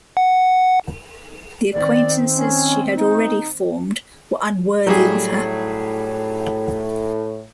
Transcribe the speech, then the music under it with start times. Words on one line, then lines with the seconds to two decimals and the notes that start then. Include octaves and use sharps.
The acquaintances she had already formed were unworthy of her.
0.17 F#5
1.73 D#3 C4 D5
2.35 C#4
2.95 D#4
4.87 A2 F#3 G3 G#4